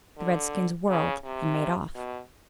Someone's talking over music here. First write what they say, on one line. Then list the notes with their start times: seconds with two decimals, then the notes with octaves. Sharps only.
The redskins whirled and made off.
0.17 D3
0.89 C#3
1.24 C3
1.95 B2